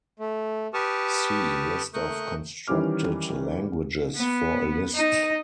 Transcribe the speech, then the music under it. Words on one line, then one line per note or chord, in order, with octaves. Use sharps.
See list of constructed languages for a list.
A3
G4 B4 A5 C#6 D#6 F6
A3 A#4 C#6 D#6 F#6 G6
D#3 E3 G3 C#4 D6 F6
B3
D#4